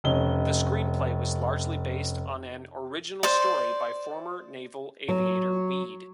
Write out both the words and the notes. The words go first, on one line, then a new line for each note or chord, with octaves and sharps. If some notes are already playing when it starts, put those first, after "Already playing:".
The screenplay was largely based on an original story by former naval aviator Wead.
F1 C#4 D#5 G7
C5 D5
F#3